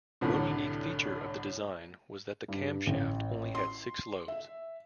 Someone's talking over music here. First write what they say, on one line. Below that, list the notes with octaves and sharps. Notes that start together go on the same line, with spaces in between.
One unique feature of the design was that the camshaft only had six lobes.
C2 F#2 A2 D3
G2
A1
C6
E5